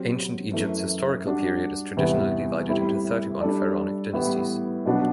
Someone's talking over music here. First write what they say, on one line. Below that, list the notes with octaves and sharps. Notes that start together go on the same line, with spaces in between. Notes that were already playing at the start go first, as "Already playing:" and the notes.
Ancient Egypt's historical period is traditionally divided into thirty-one pharaonic dynasties.
Already playing: F#3 C4 G4
F#2 E3 A3
G3 D4 F#4
E2 C3 G3 B3 E4
A2 G3 C4 E4
G3 D4 A4 D5
A2 E3 G3 B3 E4
B2 F#3 B3 D4 F#4